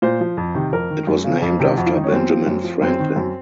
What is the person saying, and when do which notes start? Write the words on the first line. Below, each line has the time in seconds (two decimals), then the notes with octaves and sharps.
It was named after Benjamin Franklin.
0.02 A#2 C5
0.21 F3
0.37 F2
0.55 C3 D#3
0.72 F2 A#4
0.90 D#3
1.07 F#2
1.24 C#3 F3
1.42 F2
1.60 C3 D#3
1.77 F2 F#4
1.86 F4
1.95 D#3 D#4
2.04 C#4
2.12 F#2 C4
2.29 F3
2.47 F#2
2.64 F3
2.82 F#2 C4
2.99 D#3
3.16 F#2